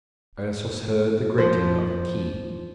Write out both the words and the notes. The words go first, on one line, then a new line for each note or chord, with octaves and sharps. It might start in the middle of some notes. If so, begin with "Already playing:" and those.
Ursus heard the grating of a key.
F3 C5